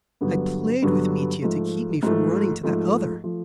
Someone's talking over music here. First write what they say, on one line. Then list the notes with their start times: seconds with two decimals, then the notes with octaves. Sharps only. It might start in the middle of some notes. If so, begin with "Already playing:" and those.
I played with Mitya to keep me from running to that other.
0.21 G2 D3 F#3 B3
0.82 G2 D3 F#3 B3
1.42 G#2 F3 A3
2.03 G#2 F3 A3
2.63 G#2 F3 A3
3.24 F3 A3